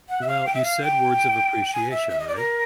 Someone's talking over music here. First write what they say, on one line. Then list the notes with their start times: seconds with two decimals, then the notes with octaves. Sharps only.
Well, you said words of appreciation, right?
0.09 F#5
0.21 E5
0.28 F5
0.46 G5
0.54 E5
0.63 F5
0.82 G5
1.73 G#5
1.91 E5
2.09 E5
2.19 D#5
2.27 D5
2.36 A#4